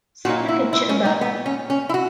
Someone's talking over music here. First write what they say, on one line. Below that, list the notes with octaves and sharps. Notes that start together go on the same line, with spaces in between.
See the picture above.
A#2 F#3 A#3 F#4
E4
E4
C#4
D#4
B3
C#4
C#4
E4
F#4